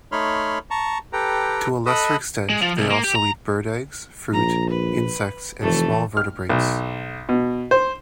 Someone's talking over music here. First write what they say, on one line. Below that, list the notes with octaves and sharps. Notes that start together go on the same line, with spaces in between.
To a lesser extent, they also eat bird eggs, fruit, insects, and small vertebrates.
A3 D#4 C#5 B5 C6 F6
A5 A#5 C#6
G4 A4 B4 G5 A#5
A4 D#5 B5 D#6 E6 F#6
G#3
F3
C2
A#3
G4
A#5
A#1 A#5
B4
F1 E3 A3 A4
F6
B1
B2
C5